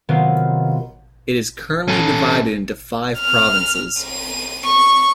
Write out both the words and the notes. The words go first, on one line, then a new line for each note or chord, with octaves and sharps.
It is currently divided into five provinces.
C3 D#3 F#3 A#3 B3 F4
C#4 A4
F6
D#7
C#6